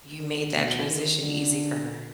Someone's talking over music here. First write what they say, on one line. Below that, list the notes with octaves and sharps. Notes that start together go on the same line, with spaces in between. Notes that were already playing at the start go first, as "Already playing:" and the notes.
you made that transition easy for her,
D3
B2
D#3
D3